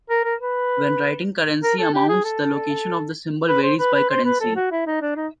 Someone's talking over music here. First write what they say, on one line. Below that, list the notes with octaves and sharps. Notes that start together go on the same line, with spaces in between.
When writing currency amounts the location of the symbol varies by currency.
A#4
A#4
B4
A#4
A4
G4
G#4
A4
B4
C5
B4
B4
C5
B4
A4
F#4
E4
D#4
D4
D#4